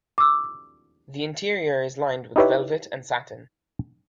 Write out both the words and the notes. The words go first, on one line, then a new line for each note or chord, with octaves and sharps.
The interior is lined with velvet and satin.
D6 E6
D#4 E4 G4 B4 C#5 E5